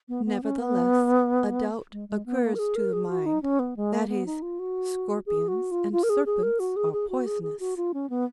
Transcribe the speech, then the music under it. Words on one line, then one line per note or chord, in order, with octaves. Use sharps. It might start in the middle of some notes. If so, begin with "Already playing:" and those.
Nevertheless a doubt occurs to the mind--that is, scorpions and serpents are poisonous.
B3
B3
C#4
B3
G#3
G#3
B3
A#3
A#4
G#4
A#4
G#4
F#4
D#4
C#4
B3
G#3
A#3
B3
D#4
F4
F#4
G#4
F#4
F4
F4
A#4
G#4
G#4
A#4
F#4
G#4
G#4
F#4
G#4
G#4
F#4
F4
C#4
B3